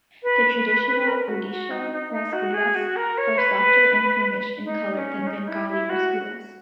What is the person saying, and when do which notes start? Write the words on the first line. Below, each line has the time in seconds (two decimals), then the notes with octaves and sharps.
The traditional Odisha rasgullas are softer and creamish in colour than Bengali rasgullas.
0.23 B4
0.86 B4
1.08 A#4
1.28 F#4
1.50 F#4
1.71 D#4
1.92 D#4
2.13 D#4
2.33 F#4
2.54 G#4
2.75 F#4
2.96 A#4
3.18 C#5
3.38 B4
4.64 D#4
4.96 C#4
5.27 D#4
5.48 E4
5.69 E4
5.90 F#4